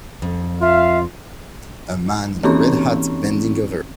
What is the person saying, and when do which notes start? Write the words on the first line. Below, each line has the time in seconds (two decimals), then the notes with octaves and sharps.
A man in a red hat bending over.
0.22 F2
0.62 F4 E5 F5
2.43 E3 C4 C#4 D#4 C#6